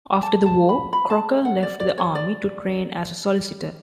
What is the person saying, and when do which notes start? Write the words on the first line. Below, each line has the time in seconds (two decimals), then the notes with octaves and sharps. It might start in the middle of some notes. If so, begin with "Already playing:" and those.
After the war, Crocker left the army to train as a solicitor.
0.23 A5
0.46 A5
0.69 B5
0.93 B5
1.10 A5
1.45 F#5
1.63 D5
1.80 D5
1.98 C#5
2.15 D5